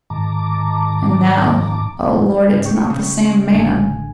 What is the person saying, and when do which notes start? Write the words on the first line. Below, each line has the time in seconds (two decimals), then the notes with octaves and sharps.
And now, O Lord, it's not the same man.
0.10 G#2 D#3 A5 A#5 D6
2.52 G#2 C#3 G#3
2.65 G5 C#6
2.90 C#3
3.50 A1 D3 G#5